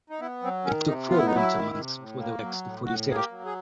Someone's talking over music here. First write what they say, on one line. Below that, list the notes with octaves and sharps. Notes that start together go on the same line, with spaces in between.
It took four winter months for the wax to fully set.
D#4
B3 E4
F#3 C4
D#3 C#4
C3 D#4
B3 F4
E4
D#4
F#3 E4
D#3
C3
A2
A#3
F#3
A2
A2 F#4
A#3 G#4
G4
F#3
G#4